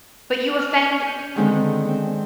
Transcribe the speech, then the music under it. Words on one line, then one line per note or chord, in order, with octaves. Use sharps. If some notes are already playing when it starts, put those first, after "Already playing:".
But you offend
F6
G6
D3 D#3 G#3 C4 A4
C4